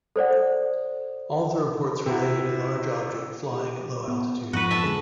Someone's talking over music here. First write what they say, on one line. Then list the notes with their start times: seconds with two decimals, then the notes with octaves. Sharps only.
All of the reports related a large object flying at low altitude.
0.16 A4 C5 D5 F#5
2.06 C3 C4 E4 F#4
3.52 G4
4.08 B3
4.53 F2 G#2 F#4 B4
4.71 E5 A5
4.84 D3 G#3